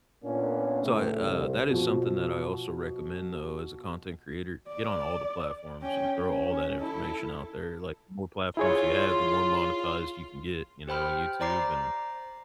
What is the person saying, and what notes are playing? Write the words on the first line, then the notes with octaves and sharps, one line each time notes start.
so I, uh, that is something that I also recommend though as a content creator. Get on all the platforms and throw all that information out there, like, the more platforms you have, the more monetized you can get, you know, YouTube and
A#2 A#3 B3 C#4 D4
A2 C#3 A3
C2
B2 F3
D5
C#4 G5
C#4
E4 A4
E4 F4 G#4 C#5
G4 C5 G5 B5 F6
C5 D5 A#5 D6 C7